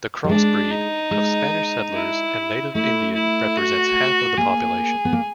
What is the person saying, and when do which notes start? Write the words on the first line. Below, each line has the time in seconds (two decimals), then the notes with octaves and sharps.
The cross-breed of Spanish settlers and native Indian represents half of the population.
0.24 G3
0.29 G#3 D4
0.70 D#4
1.11 G#3
1.93 E4
2.74 A3 E4
3.15 E4
3.57 F#4
4.38 A#3 G#4
5.05 B3
5.13 A#3